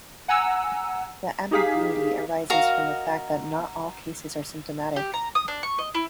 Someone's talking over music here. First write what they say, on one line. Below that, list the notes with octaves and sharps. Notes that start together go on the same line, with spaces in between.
The ambiguity arises from the fact that not all cases are symptomatic.
F#5 G#5 A#5 E6
D#4 G4 G#4 F5 B6
F#4 A#4 D#5 F5
G4
A#5
D#6
D4
C#6
D#5
E4